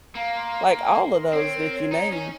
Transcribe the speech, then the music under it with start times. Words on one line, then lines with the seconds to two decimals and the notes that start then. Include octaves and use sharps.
Like, all of those that you named,
0.15 A#3 F5
0.34 C6
0.54 F5
0.74 F5
0.94 C6
1.13 A#4
1.33 C4 C#5
1.53 A#4
1.73 C#5
1.92 D#4 C#5
2.12 C#4 D#4